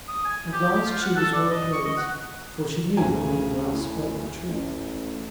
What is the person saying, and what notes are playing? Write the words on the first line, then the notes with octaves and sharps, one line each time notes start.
At last she was well pleased, for she knew the Looking-glass spoke the truth.
D#6
G#5
G4
G4
F4
F#5
A4
D5
D#5
C#6
D#5
F#5
D2 G#5
C#3
A2
A1